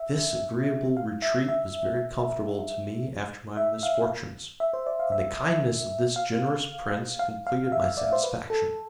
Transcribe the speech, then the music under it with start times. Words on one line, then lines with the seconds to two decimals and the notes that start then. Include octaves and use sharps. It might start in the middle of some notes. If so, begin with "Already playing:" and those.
This agreeable retreat was very comfortable to me after my misfortunes, and the kindness of this generous prince completed my satisfaction.
Already playing: E5
0.97 F5
1.22 E5
1.49 E5
3.57 E5
3.83 F5
4.60 E5
4.73 C5
4.87 D5
4.99 F5
5.12 E5
6.16 F5
7.19 F5
7.47 F5
7.72 E5
7.97 D5
8.13 C5
8.24 B4
8.50 A4